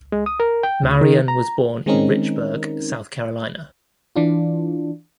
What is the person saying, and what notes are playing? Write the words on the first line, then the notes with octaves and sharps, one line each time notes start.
Marion was born in Richburg, South Carolina.
G#3
D#6
A#4
G5
D2
D#3
A#5
D#3 G#3 C4 C#4 D#4 A#4
E3 D4 F4